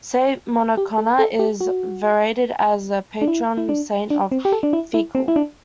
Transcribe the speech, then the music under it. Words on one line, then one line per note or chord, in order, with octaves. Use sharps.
Saint Mochonna is venerated as the patron saint of Feakle.
G4
A4
A4
G4
F#4
D4
E4
E4
D4
D4
C4
G4
A4
D4
E4
E4
C4
E4
D4